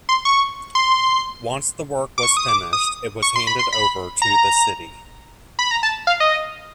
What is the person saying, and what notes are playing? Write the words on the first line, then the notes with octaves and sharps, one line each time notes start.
Once the work was finished, it was handed over to the city.
C6
C#6
C6
D6
C#6
D#6
D6
D#6
C#6
C6
B5
C6
B5
A#5
B5
A#5
A5
F5
D#5